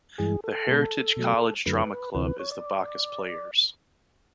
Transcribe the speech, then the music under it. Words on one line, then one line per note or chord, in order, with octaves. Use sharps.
The Heritage College Drama Club is the Bacchus Players.
G2 E3 G#3 G#4
A4
B2 G#3
B2 F#3 A3
F#2 D3 F#3 A3 B4
D2 C3 E3 B4
B4
C#5
D5